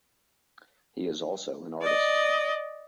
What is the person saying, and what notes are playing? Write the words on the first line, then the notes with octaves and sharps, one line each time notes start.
He is also an artist.
D5 D#5